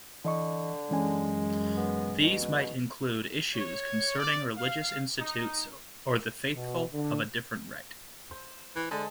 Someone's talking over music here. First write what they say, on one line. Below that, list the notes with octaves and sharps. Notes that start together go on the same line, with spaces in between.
These might include issues concerning religious institutes or the faithful of a different rite.
D3 E3 D#5 C#6
F#2 E3 G#3 C#4 G#5
B3
B2
C#5
D5
F5
D#4
B2
D3
C5
E3
D3 G#3 A5